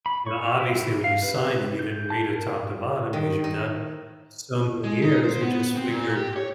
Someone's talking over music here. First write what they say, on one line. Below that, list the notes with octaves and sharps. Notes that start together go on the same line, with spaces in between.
And obviously when you signed it, you didn't read it top to bottom because you've done it so many years you just figured
B5
C#6
E4
F5
B4
G6
A5
A#4
D#3
D#4
G#3
D#4
C5
B3
C4
A#2
G4
C#5